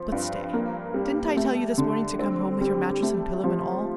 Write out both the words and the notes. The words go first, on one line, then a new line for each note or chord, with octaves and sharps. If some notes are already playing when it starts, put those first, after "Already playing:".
But, stay; didn't I tell you this morning to come home with your mattress and pillow and all?
Already playing: F3
G2
A#3
G3
A3
D3
C4
G3
A3
F3